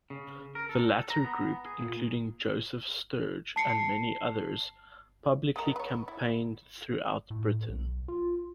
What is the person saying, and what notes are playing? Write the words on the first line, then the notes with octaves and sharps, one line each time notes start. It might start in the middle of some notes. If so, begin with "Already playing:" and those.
The latter group, including Joseph Sturge and many others, publicly campaigned throughout Britain.
C#3
A#4
A4
A#5
B3
G#4
A#2
A5 C7 C#7
G#3 A3 A#4
B4 C#5
E4
A2
B1
F4